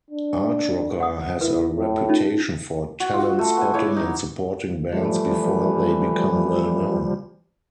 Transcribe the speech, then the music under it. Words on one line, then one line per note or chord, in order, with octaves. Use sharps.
Artrocker has a reputation for talent-spotting and supporting bands before they become well known.
D4
F#5 D#6
E4 B4
A2
C#4 D#4 F4
F#4
F4 F#4
A3
B3 G#5
E4 C#5 G#5 D6
D#4
E3 F3 G3 A3